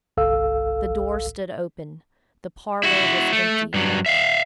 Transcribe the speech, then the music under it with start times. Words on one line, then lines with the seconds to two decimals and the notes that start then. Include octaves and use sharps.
The door stood open; the parlor was empty.
0.17 G1 C2 A4 F5 E6
2.83 E4 F#4
3.33 A3
3.74 G2 F#3
4.06 E5 F5